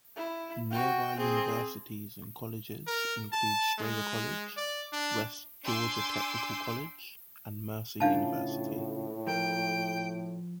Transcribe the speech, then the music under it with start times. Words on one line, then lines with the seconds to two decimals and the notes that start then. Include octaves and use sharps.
Nearby universities and colleges include Strayer College, West Georgia Technical College, and Mercer University.
0.16 E4
0.71 F#4 G5
1.17 C4 G#4
2.86 A#4
3.32 A5
3.78 G#3
4.57 D5
4.92 D4
5.64 D4 G#5 C6 D6 E6 G6
8.00 A2 C#3 D4 F4 A#4 F5 A5
9.27 F3 A#4 G5